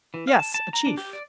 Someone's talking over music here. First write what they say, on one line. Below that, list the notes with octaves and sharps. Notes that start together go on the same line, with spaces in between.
"Yes, a chief."
E3
F5
A5
A5
A#5
D4
G4
D5